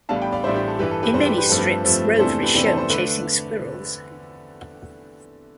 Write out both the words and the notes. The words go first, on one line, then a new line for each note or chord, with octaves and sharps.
In many strips Rover is shown chasing squirrels.
A1 A2 G3 B3 D4 F5 A5
G5 B5
D5 F5
A1 A2 G3 B3 D4 C5 E5
G4
A4
G2 E3 G3 G4 B4
A4
G4 B4
G2 E3 G3 A4 C5
G4 B4
G4 B4
G2 F3 A3 C4 A4
G4 B4
A4
G2 F3 A3 C4
E2 C3 E3 A3 D4 A4 C5
A4
G4 B4
E2 C3 E3 A3 D4 G4 B4
A4 C5
A4 C5
D3 A3 B4 D5